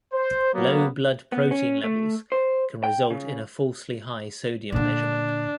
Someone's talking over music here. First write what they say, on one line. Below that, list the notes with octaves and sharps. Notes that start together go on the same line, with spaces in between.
Low blood protein levels can result in a falsely high sodium measurement.
C5
F#3 A#3 B3
B3
C#4
A3
C5
G5
C#3
A#2 D3 D4